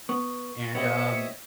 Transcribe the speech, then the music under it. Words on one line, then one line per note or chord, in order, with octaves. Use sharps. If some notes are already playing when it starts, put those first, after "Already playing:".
and, um,
B3 C#6
B3 G4 C5 C#5 D#5 E5 C#7